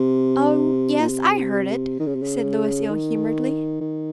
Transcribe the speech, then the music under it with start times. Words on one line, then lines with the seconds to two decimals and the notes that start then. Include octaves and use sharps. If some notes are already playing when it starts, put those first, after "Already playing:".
"Oh, yes, I heard it," said Louis ill-humoredly.
Already playing: C3
1.01 A#2
1.09 C3
2.00 D#3
2.07 C#3
2.15 C3
2.23 C#3
2.91 D#3
3.81 D#3